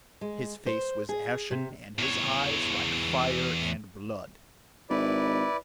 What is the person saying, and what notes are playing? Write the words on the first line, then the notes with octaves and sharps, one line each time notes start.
His face was ashen and his eyes like fire and blood.
G#3
C5
G#4
C3
E2 C#5
G#1 E4 B4 D5